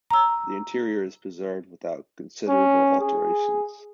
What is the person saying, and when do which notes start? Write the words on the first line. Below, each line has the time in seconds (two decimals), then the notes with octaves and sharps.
The interior is preserved without considerable alterations.
0.10 A#5 E6
2.48 C#4
3.00 G#4